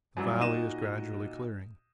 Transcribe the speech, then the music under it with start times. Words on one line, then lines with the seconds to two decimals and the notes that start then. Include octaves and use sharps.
The valley is gradually clearing.
0.17 F#2 F#3 G3 E4
0.39 A#2 D#4 F#4 D#5 D#7 E7